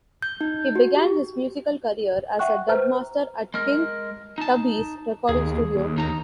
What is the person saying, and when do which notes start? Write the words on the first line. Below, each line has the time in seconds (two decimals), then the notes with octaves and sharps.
He began his musical career as a dub master at King Tubby's recording studio.
0.22 G6
0.41 D#4
0.75 F#4
0.95 G4
2.39 E5 F#5 G5 C#6 F#6
2.68 B4 C5 A#5 F6
3.54 G#3 A#4
4.38 D#4 A5
5.29 D#2 G#4
5.75 D#2
5.98 D#4 A#5